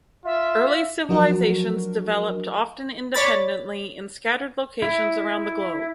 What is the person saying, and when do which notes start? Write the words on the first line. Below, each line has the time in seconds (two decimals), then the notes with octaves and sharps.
Early civilizations developed, often independently, in scattered locations around the globe.
0.25 F4 E5
1.09 F3 F#3 D4 F#4 A#4
3.14 C#5 D5 B5 A6
4.82 E4